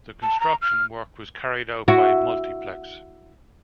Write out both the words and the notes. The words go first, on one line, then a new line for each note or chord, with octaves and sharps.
The construction work was carried out by Multiplex.
A5
A#5
F6
E4 F#4